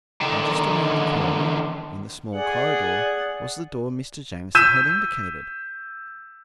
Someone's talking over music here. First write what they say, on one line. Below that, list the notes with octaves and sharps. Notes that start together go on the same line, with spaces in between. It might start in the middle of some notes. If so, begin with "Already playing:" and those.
And just around the corner, in the small corridor, was the door Mr. Jamieson had indicated.
D3 D#3
G#4 D5 F#5
E6 G6 B6 D#7 E7